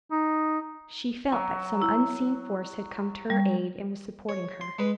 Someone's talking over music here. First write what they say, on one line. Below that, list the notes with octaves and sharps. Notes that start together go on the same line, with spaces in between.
She felt that some unseen force had come to her aid and was supporting her.
D#4
F#3
E4
G3
C#5
C6
G#3 B4